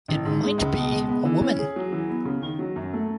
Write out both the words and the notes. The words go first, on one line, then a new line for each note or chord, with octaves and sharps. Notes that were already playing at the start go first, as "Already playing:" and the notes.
It might be a woman.
A1
G#2
G#3
C#2
B2
G#3
B3
E3
C#4
G#4
F#3
E3
B3
C#3
D#3
F#3
F#2
A3